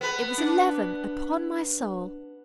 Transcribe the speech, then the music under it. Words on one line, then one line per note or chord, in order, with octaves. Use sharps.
It was eleven, upon my soul!
B3 B4
D4